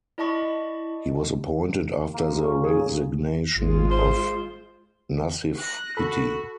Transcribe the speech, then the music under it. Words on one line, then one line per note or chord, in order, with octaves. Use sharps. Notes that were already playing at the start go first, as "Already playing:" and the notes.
He was appointed after the resignation of Nassif Hitti.
E4 D5 D#5 A5 B5 C#6
A#3
G#3
C#4
G#4
G#1 G#3 F4
C5
F#6 A#6
F#4 A4 B5